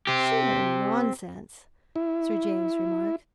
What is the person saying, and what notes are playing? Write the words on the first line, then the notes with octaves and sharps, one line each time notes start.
"Sheer nonsense!" Sir James remarks.
C4 G4
E4